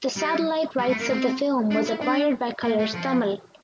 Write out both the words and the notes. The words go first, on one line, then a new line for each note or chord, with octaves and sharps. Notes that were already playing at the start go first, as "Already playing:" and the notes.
The Satellite Rights of the Film was acquired by Colors Tamil.
G3
G3
A3
A#3
C4
D4
E4
D4
A#3
A3
F3